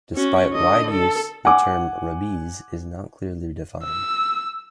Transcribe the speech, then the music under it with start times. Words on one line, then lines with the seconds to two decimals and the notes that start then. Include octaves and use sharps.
Despite wide use the term Rabiz is not clearly defined.
0.16 C#4 F#4
0.53 D3 D#5
0.91 A4
1.45 F#5 G#5 D6
3.84 E6